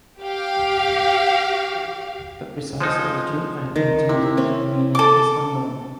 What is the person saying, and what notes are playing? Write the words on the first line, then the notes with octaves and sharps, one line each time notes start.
The precise origin and intended meaning is unknown.
G4 F5
F3 G#3 D#4 C5
D#3
C3 E4
C4 C#4
A4 D6